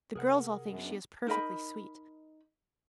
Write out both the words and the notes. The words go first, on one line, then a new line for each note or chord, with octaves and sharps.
The girls all think she is perfectly sweet.
C3 G#4 A#4 F#5
F#2 B3 D4
D#4 A#4 D#5 B5